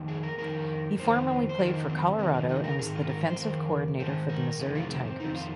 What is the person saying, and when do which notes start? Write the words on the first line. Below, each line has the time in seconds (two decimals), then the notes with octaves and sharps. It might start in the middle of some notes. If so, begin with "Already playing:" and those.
He formerly played for Colorado and was the defensive coordinator for the Missouri Tigers.
Already playing: F2 D#3
0.08 G#4
0.23 A#4
0.38 F2 D#3 A#4
0.98 F2 D#3 C5
1.49 C5
1.59 F2 D#3 A#4
1.73 D#4
1.89 C4
2.19 F2 C3 D#3 A#3
2.34 A#3
2.49 D#4
2.64 A#4
2.79 G#2 D#3 G#4
2.95 F4
3.09 A#4
3.25 C5
3.40 F2 D#3 A#4
3.99 G#2 D#3 C5
4.29 A#4
4.59 F2 C3 D#3 G#4
4.75 F4
4.90 C4
5.05 C4
5.20 F2 D#3 D#4
5.35 F4